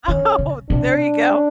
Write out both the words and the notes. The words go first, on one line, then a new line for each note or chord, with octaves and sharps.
Oh, there you go.
D#3 C#4
C#3
C3 D4